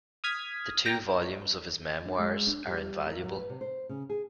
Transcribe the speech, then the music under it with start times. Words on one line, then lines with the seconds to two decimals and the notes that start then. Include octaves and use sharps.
The two volumes of his "Memoirs" are invaluable.
0.24 D#6 F6 G#6 B6
0.85 G5 A#5 A#6
2.06 D4
2.18 G#3
2.47 D4
2.66 G3
3.07 A#4
3.24 F#3
3.37 B4
3.49 C3
3.61 C5
3.89 C#3
4.10 G#4